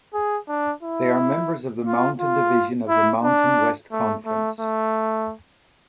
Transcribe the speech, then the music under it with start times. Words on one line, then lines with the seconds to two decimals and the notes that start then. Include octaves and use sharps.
They are members of the Mountain Division of the Mountain West Conference.
0.14 G#4
0.48 D4
0.83 E4
1.86 F4
2.20 F4
2.88 E4
3.23 D4
3.92 A3
4.26 A3
4.60 A3